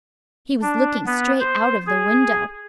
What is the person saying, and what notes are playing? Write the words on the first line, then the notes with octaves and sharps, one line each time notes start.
He was looking straight out of the window.
D4
B3
C5
G#4